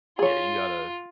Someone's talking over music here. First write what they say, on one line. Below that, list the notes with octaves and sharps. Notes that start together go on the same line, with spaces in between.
Yeah. You gotta
F4 G#4 C#5